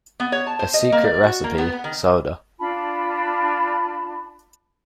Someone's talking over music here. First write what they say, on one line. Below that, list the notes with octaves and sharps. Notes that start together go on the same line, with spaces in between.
A "Secret Recipe" soda.
B3
C#5
A5
C5
D#5
A#3
D5
F#4
A#3
B3
B3
D#3
D4 F4 A5 B5